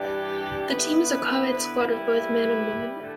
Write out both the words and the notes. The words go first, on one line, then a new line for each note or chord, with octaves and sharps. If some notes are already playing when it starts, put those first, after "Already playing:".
The team is a coed squad of both men and women.
Already playing: G2 E3 G3 D4 G4
D3 B3 E4 B4
G3 E4 B4
D3 A3